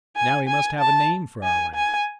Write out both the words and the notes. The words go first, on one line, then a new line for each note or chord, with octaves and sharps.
Now we must have a name for our land.
G#5
G#5
A5
G#5
G#5